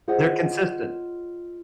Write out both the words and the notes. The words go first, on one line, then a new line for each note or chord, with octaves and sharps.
They're consistent,
F4 G#4 C5 C#5 D#5 F#5